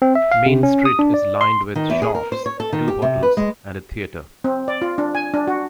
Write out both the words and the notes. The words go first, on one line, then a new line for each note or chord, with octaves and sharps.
Main Street is lined with shops, two hotels and a theatre.
C4
E5
F5
C3
C#4
D#6
D4
D5
C6
D#3
E2
G#4
A#4
C5
C#5
A4
D#3
G4
C3
B4
G#3
C4
D5
F4
D4
G#5
D4
F#4